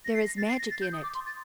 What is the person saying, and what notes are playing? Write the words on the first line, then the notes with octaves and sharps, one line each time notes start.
There is magic in it.
A#6
C7
A#6
A6
C7
A#6
A6
G6
D#6
D6
C6
A6